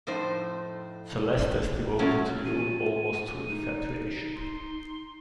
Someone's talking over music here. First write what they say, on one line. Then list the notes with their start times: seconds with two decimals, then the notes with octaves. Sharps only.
Sir Leicester is devoted to you almost to infatuation.
0.07 F2 A2 D#4 C5
1.99 F#3 G#3 A3 C#4
2.45 F4 D#7
3.49 D#4
4.36 C6